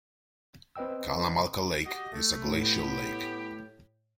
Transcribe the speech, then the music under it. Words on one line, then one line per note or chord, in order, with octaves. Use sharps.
Kalamalka Lake is a glacial lake.
C4 B4 D#5 G5 E6
F#4 G4 D#5
A3
A2
B3 E4 G4